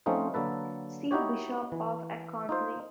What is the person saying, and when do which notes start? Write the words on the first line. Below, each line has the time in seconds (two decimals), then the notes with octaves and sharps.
See Bishop of Achonry.
0.06 F3 A3 C4 C#4 D#4 F4
0.34 D3 F#3 A#3 A4 B4
1.11 D#4 E4 F#4 G4 C#5
1.72 E3
2.49 D#4 F4 C5